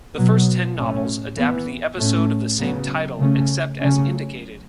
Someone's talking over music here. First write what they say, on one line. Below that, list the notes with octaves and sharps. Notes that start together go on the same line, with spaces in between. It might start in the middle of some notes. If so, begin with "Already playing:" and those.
The first ten novels adapt the episode of the same title except as indicated.
B2 F#3 B3
A2 A3 C#4
E3 B3
A2 A3 C#4
C#3 F#3 B3
C#3 A3 C#4
C#3 F#3 A3 C#4